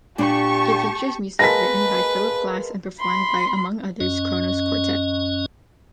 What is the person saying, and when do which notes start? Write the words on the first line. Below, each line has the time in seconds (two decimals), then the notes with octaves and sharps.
It features music written by Philip Glass and performed by, among others, Kronos Quartet.
0.18 A#2 D4 G4 A5 C#6
1.39 G#3 A#3 B4 A5 A#6 B6
2.99 B5 C6
4.00 F#2 C#4 D#5